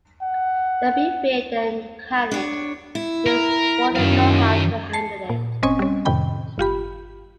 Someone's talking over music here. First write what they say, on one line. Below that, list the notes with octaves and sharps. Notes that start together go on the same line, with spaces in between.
There'd be fear, then panic: they just wouldn't know how to handle it.
F#5
D4 C#5
E4
A#4
F#2 D#3 F5
A5 C7 C#7
A#2
G1 C4 C#4 D#5 G#5 C#6
G3 C#4
F2 A2 C3 D#3 G5 B5
G1 F4 G4 B5